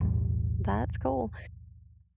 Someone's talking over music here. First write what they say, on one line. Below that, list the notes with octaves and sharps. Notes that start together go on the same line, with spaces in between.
That's cool.
B1 E2 A2 G3